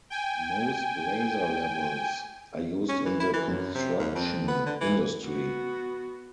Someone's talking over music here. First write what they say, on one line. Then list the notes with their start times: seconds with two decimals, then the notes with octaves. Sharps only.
Most laser levels are used in the construction industry.
0.10 G5 G#5
2.89 C#4
3.06 E3
3.20 E4
3.33 E3
3.50 F#2
3.75 C3
3.99 D#2
4.15 F2
4.48 B3
4.66 D3
4.81 E3
5.23 B3 F#4